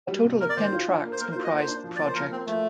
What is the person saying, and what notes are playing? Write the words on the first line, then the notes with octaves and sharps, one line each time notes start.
A total of ten tracks comprised the project.
G3
C3
A#3 A#4
D5
D#3 C5
F4
D4
A#3
C5
A#3 A#4
C5
F4
D#5
A#3 C5
D4
F3
A#3 D5
C5
F3 A#4
A#3 C4
F3 A3